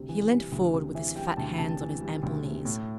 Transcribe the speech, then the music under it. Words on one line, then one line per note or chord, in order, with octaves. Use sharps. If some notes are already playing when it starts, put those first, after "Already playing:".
He leant forward with his fat hands on his ample knees.
Already playing: D2 C3 G3
E3
G3
D2
C3
E3 E5
G3 G5
D2 A5
C3 A5
E3
G3
D2
C3
A2